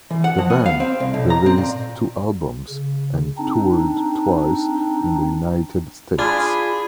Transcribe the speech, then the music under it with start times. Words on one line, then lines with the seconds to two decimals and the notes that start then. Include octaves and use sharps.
The band released two albums and toured twice in the United States.
0.11 E3
0.24 F#5
0.38 F3
0.50 B3
0.66 F5
0.80 C4
1.00 C2
1.14 B1
1.30 A#5
1.46 C4
1.58 A#2
2.70 C#3
3.38 C4 D4 D#4
6.19 D4 F4 G#4 B5